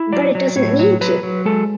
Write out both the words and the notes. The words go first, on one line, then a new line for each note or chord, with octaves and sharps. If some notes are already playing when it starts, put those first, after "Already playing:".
But it doesn’t need to.
Already playing: E4
F#3 D5
F#3
A2 C#5
F#3
F#3 B4
F#3
G#3 A4